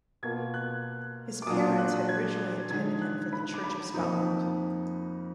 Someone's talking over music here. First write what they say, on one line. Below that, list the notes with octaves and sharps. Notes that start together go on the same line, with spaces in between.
His parents had originally intended him for the Church of Scotland.
B2 A#3 F4 G#6
F#6
D6
A#2 F#3 D4 F4 D#6
F#6
F#6
G#6
D3 G#3 D#4 G#6
F#6
B5
D6
B5
F2 F3 A#3 D#4